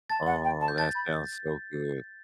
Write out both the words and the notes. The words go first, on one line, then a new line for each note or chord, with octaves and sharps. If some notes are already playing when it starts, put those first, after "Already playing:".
Oh, that sounds so good.
A5 A6
F#5
G5
A5
G6
A5 A6
B5